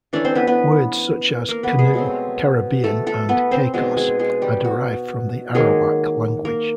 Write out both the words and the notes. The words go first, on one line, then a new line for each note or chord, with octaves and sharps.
Words such as "canoe", Caribbean and "caicos" are derived from the Arawak language.
E3 A3 C#4 D4 D5
C4 C5
B3 B4
B3 B4
A#3 A#4
B3 B4
G#3 G#4
B2 F#3 A3 C4
A3 A4
A3 A4
B3 B4
C4 C5
B2 G#3 C4 D#4
G#3 G#4
G#3 G#4
G3 G4
F#4
D#3 F#3 G#3 A#3 D#4 G#4
A#3 A#4